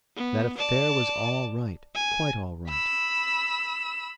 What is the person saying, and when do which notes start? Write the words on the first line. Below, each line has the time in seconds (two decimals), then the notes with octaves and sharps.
That affair was all right, quite all right.
0.16 B3
0.57 D5 A5
1.95 G#5
2.69 B5 E6